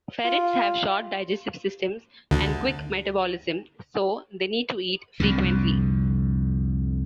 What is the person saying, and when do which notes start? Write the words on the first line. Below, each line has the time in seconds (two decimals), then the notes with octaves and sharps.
Ferrets have short digestive systems and quick metabolism, so they need to eat frequently.
0.25 F4
2.31 D2 D3
5.20 C2 F2 D3